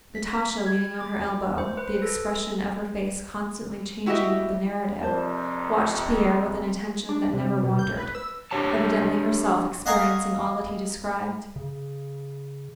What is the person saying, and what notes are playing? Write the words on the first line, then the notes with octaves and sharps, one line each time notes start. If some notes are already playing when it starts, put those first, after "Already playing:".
Natasha, leaning on her elbow, the expression of her face constantly changing with the narrative, watched Pierre with an attention that never wandered--evidently herself experiencing all that he described.
B6
G#6
D6
C5
B4
A4
E4 F#4 G4 B4 D#5 E5
F2 C3 F3 A#4 C5 D5 A5
D4
C3
B2
G6
B4
E6
D4 G4 C#5 A5
D#5 F5 F#5 G#5 A#5 C#6
C#3